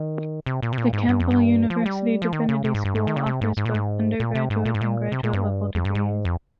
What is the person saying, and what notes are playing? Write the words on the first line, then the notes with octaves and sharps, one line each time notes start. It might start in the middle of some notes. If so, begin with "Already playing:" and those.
The Campbell University Divinity school offers both undergraduate and graduate level degrees.
Already playing: D#3
C3
A#2
C3
A#2
G#2
G2
F2
G2
F3
G3
F3
D#3
C#3
C3
G#2
G2
G#2
D#3
C#3
C3
G#2
G#2
A#2
G#2
A#2
C3
G#2
A#2
G#2
A#2
C3
A#2
G2
F2
G2
G#2
F2